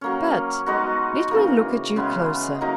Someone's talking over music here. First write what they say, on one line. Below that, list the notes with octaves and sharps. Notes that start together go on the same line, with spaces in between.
But let me look at you closer.
F#3 A#3 C#4
G#3 B3 D#4 F#4
C#3 E3 A#3
C#3 G#3 B3
F#3 A#3 D#4